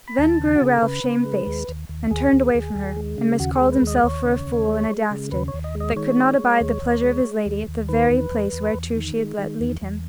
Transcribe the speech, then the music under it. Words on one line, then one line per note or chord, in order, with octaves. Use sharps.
Then grew Ralph shamefaced and turned away from her, and miscalled himself for a fool and a dastard that could not abide the pleasure of his lady at the very place whereto she had let lead him.
B5
D#2 A5
C#3
F#4
C#3 G#4
A4
C#3 B4
C#3
G#3
D#2
D#2
D#2
D#2 G#4
D#2
D#2
D#2
G#3
C#3
D#2 F#4
G#4
G#3
B4
D#2
D#5
D#2 C#5
C#3
D#2
G#3
G#3
C#3
D#2 B4
C#5
D#2
D#5
G#3
D#5
D#3 C#5
G#3
G#3
D#2
D#2
G#3
G#3
D#2
D#2
D#3 B4
E2
E2
E2
E2
D#3
G#3
D#3
E2
E2